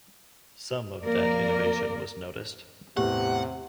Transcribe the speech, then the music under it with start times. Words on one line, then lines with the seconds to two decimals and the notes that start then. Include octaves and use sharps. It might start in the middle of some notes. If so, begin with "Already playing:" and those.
Some of that innovation was noticed.
1.03 F2 A#3 A#4 D5
2.97 E2 A2 C3 G4 B4 F#5